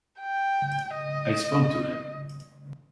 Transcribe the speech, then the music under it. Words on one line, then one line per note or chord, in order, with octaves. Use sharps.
I spoke to him.
G5
D#5